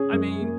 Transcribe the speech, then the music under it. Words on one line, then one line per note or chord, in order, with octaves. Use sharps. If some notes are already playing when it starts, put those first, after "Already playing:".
I mean,
Already playing: C#4 G#4
F#2
A#3